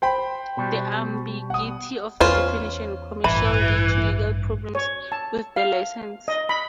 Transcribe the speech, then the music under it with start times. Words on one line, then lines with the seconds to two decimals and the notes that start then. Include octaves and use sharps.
The ambiguity of the definition "commercial" lead to legal problems with the license.
0.02 C5 G5 B5
0.57 B2 G3
1.50 F#5 D#6
2.20 E2 C#4 F4 B4 C5
3.24 A1 G2 E3 B5
4.75 C#5
5.12 A5
5.56 F5
6.28 D#5
6.49 B5